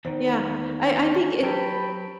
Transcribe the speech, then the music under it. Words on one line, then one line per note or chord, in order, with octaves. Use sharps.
yeah, I I think it's
E2 D#3 C5
F#3 G4 B4 C5 G5 A5 B5